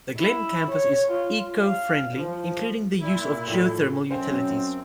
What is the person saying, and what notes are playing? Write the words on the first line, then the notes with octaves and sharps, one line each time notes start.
The Glenn Campus is eco-friendly, including the use of geo-thermal utilities.
E4
C#5
F4
F5
F3
A#2 E4
A2 F3 A3
F#2 C4 C#4 C5 F5 G#5